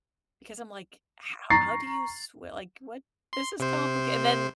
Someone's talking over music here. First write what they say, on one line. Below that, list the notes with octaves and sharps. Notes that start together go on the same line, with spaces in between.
because I'm, like, how "How do you sw like, what? This is complica" and then,
A#5 C#6 A6 C7
C6
C3 C5